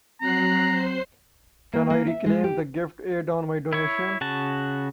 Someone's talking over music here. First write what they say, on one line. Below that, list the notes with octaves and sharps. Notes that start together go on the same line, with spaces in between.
Can I reclaim the gift aid on my donation?
F#3 C4 A#5 F#6 C7
C5 C7
A#3
A#3
E5
G#3
G4
E4 C#5
C#3 F#4 A5